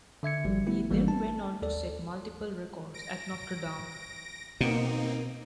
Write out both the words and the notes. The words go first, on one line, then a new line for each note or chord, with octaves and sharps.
He then went on to set multiple records at Notre Dame.
D3 E5 G#6 C#7
G#1 F3 G3
A3 B3 E4
G#1 E3 G3 A#3
A5
D#2 A4 D5
A#6 D7
B2 A#3 C4 D#4